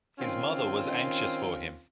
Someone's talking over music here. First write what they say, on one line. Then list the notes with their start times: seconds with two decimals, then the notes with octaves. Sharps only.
His mother was anxious for him.
0.19 D#3 C4 C#4 F4